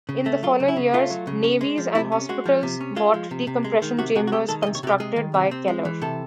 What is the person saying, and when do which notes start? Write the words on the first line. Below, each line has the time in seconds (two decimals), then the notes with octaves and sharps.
In the following years, navies and hospitals bought decompression chambers constructed by Keller.
0.09 C#3
0.26 A3
0.43 F#3 F4
0.60 C#3
0.68 E4
0.76 C#3
0.94 A3 F4
1.10 F#3
1.27 C#3
1.44 C#4
1.61 G#3
1.78 F3
1.95 C3 E4
2.12 C#4
2.29 G#3 F#4
2.46 F3
2.63 C3
2.80 C#4
2.96 G#3 F4
3.14 F3
3.31 C3
3.47 C3
3.64 G#3
3.82 D#3
3.99 C3 F#4
4.15 C3 F#4
4.27 F#4
4.32 G#3 G4
4.49 D#3 A4
4.62 D#5
4.66 C3
4.75 C#5
4.83 C3 F#4
4.87 G4
5.00 G#3 G#4
5.16 D#3
5.34 C3
5.51 C4
5.68 G#3
5.85 E3
6.02 C3 A4